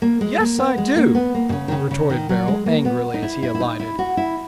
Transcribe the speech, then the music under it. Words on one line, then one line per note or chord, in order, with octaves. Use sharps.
"Yes, I do," retorted Beryl, angrily, as he alighted.
A#3
G#3
A#3
B3
G#3
A#3
B3
A#3
B2
C#3
D#3
C#3
C#3
D#3
F#3
G#3
A#3
B3
D#4
E4
E4
E4
D#4
E4
F#4
E4